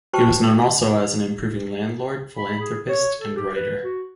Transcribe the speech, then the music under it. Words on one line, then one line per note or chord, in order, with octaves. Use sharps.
He was known also as an improving landlord, philanthropist and writer.
F#4 B4 C5 G5 A5 C#6
B5
G#4
C#5
A4
G4
B4
F#4